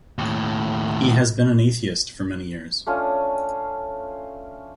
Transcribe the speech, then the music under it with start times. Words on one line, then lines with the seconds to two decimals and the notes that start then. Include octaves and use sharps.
He has been an atheist for many years.
0.19 D#2 A2
2.86 A3 C#4 D4 F4